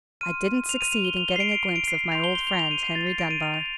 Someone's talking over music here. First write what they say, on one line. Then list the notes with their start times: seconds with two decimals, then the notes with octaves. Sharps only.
"I didn't succeed in getting a glimpse of my old friend Henry Dunbar."
0.21 C6 F6 D#7
0.69 F7
0.81 D#7
0.92 F7
1.05 G7
1.17 F7
1.28 G7
1.36 C7
1.40 D7
1.52 D7
1.64 D7
1.76 D7
1.88 C7
2.12 C6 G6 F7
2.24 G7
2.35 G7
2.47 F7
2.59 F7
2.71 D#7
2.83 C7
2.95 A6
3.07 C7
3.19 D7
3.31 D#7
3.43 F7
3.54 F7